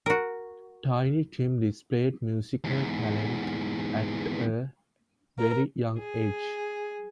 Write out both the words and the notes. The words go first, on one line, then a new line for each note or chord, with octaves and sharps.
Tiny Tim displayed musical talent at a very young age.
F#4 A#4
E2 G#2
A#4
G#4